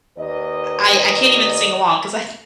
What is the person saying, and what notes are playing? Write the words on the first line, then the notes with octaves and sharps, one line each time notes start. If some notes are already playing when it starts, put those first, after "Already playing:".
I I I can't even sing along 'cause I I
D#2 B4 D5 D#5